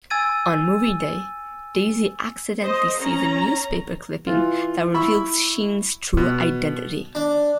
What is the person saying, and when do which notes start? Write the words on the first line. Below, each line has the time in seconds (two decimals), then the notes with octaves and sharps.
On moving day, Daisy accidentally sees a newspaper clipping that reveals Sean's true identity.
0.10 G#5 E6 G#6 A6 D#7
2.61 C5 D#5
2.99 C#4 A#5
4.27 E3 F4
4.94 E4 B5 C#6 E6
6.17 B2
7.15 D4